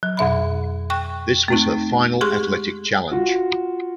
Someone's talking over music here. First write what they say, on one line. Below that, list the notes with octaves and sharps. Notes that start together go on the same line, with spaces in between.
This was her final athletic challenge.
F#3
F2 B2 E5 B5
G5 C#6 F#6
A3 C4 D#4
G#3 G4 G#4 C6 C#6 F#6
F4 F#4